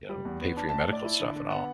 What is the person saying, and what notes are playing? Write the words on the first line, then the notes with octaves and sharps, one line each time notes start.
you know, pay for your medical stuff and all.
G3
E2
B3
D4 A5
A5
A2
A5
A2 D5
E4
D3
D3
B3 F#5